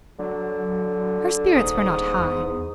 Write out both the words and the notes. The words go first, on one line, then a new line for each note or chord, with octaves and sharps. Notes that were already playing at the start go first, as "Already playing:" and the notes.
Her spirits were not high.
D3 F#3
D#1 G#2 D#6
E2